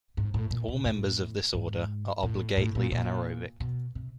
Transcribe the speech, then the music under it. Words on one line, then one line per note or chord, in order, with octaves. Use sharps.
All members of this order are obligately anaerobic.
G#2
A2
A#2
B2
A2
G#2
A2
A2
A#2
A#2
B2
C3